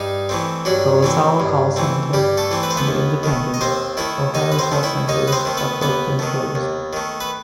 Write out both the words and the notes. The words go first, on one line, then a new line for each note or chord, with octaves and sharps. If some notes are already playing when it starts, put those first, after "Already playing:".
The LaSalle call center and the Independence, Ohio call centers have both been closed.
Already playing: G2 D#4
E3 A3 C4
G2 F#3 F#4
E3 A3 C4
G2
E3 A3 C4
G2 G3 G4
A3 A4
E3 A3 C4
B4
C5
B3 B4
D#2
D#3 A3
D#5
D#2 C4 C5
D#3 A3 E4 E5
D#2 D#4 D#5
B4
C4 C5
D#3 A3
E4 E5
D#2 D#4 D#5
B4
C4 C5
D#3 A3
B3 B4
D#2 B3 B4
D#3 A3
D#2
D#3 A3
B4